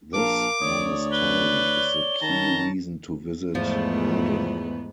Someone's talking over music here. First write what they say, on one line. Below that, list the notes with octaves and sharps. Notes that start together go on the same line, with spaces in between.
This monastery is the key reason to visit Mardin.
A#1 A#4 F5 A5 D6
D2 C#5 D5 D#6
B4 G7
D#3 C#4 A5 A#5
E2 G#2 F3 A3 B3